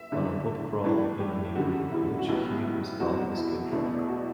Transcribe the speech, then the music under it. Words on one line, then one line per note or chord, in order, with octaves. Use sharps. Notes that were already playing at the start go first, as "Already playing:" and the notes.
On a pub crawl in a neighbouring village, he and his colleagues get drunk.
Already playing: E5
F#1 E2 D3
A2 E3 A3 D4
G4
F#2 D3 G3 F#4
E4
F#4
B1 A2 G3 B3 E4
E4
E2 B2 G3 C4 F#4
E4
E2 B2 A3 D4 E4
F#4